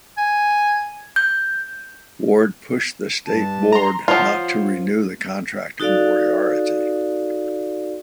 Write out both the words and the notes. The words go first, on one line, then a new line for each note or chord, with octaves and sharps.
Ward pushed the state board not to renew the contract of Moriarty.
G#5
G6
G2 A5
A#5 C6
F3 F4 C5 C#5 F#5
D#4 F#4 A4 D5 F5